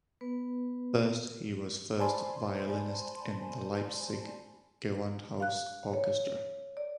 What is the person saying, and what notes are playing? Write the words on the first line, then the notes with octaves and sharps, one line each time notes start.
First he was first violinist in the Leipzig Gewandhaus Orchestra.
B3 B4
C5 D5 G#5 A5 B5 C6
F5 F#6
C#5
D5